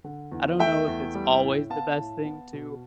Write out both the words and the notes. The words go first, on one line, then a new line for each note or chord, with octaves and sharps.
I don't know if it's always the best thing to,
D3
E2
A3 E5 G5
E2
G3
A2
B3 F5 A5
A2
B3
B2